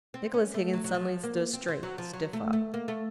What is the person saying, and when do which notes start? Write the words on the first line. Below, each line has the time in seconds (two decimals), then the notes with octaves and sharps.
Nicholas Higgins suddenly stood straight, stiff up.
0.14 C4
0.34 C#4
0.54 A3
0.73 F#3
0.84 F#3
0.94 F3
1.23 A#3
1.53 C4
1.68 C4
1.83 F#3
1.98 F3
2.13 F#3
2.33 A3
2.53 A3
2.74 A#3
2.88 A3